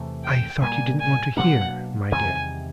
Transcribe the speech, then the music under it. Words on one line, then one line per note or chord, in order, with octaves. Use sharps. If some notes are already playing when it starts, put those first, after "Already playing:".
'I thought you didn't want to hear, my dear.
Already playing: E2 C3 E3 A3
G5
A#2 G3 A#3 G#5
G#5
B2 F#3 A#3 D4 F#5
E2 C3 D#3 G3 G#5